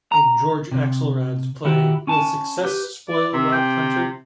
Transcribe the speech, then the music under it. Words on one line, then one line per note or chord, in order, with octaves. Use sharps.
In George Axelrod's play Will Success Spoil Rock Hunter?
A#5
C3
D#3 E4 F#4 G4
C#4 G#5 A5
G4 B4
D5
C3 E5
G5